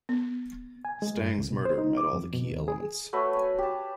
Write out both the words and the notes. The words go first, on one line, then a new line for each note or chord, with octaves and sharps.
Stang's murder met all the key elements.
B3
G#5
G#3
G2
C#2
B2
C5
D#4
D6
F2
B2
D#2
G#4
A3 F#4 B4 C#5
G#5
G4 A5